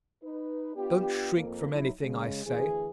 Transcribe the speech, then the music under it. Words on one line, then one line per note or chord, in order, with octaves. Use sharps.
Don't shrink from anything I say.
D#4 B4
B3 D4 F4 G4
F2 A#3
F#3 D#4 E4
C#3 G#3
D2 E3 G#4